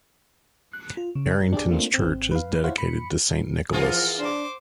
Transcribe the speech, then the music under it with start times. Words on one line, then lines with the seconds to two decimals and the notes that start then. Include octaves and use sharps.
Arrington's church is dedicated to Saint Nicholas.
0.73 F#6
0.97 F4
1.15 C#3
1.53 D4 G4 G#4 D5
1.70 A3 A#3 C4 D4 F4
1.94 G#1 C4
2.32 B4 F5
2.64 E4 C5 C#5 F5 F#5
2.78 B5 C#7
3.73 E3 F3 F4 G#4 A#4 F#5
4.19 D4 C5 D6